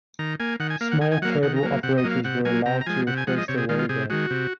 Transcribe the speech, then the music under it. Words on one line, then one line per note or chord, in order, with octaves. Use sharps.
Small cable operators were allowed to request a waiver.
D#3 A#5
A#3 G#5
D#3 F#5
G#5
A#3 F5
F#5
D#3 G#5
G#5
F#3 A#3 F#5
F5
D#3 F#5
A#5
F#3 A#3
C3 F#5
D#5
F#3 A#3
F5
C3 F#5
F#3 A#3 G#5
C3 A#5
A#5
F3 G#3 G#5
C3 F#5
G#5
F3 G#3 F#5
D#5
C3 C#5
G#4
D#3 G#3 F4
F4
C3 G#4
D#3 G#3 F#4
C3